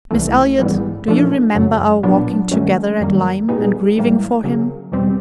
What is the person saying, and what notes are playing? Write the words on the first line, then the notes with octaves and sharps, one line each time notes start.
Miss Elliot, do you remember our walking together at Lyme, and grieving for him?
C2 C3 E3 A3
A1 G#2 E3 G3 B3
A#2 F3 A3 D4
F#2 C#3 F#3
B1 A#2 F#3 B3 D4
G2 D#3 F#3 A3 C#4
F#2 D#3 G3 A#3
A#2 G3 B3 D#4 G#4
A1 G#2 E3 G3 A#3
C#3 F#3 A#3
E2 B2 G3 C4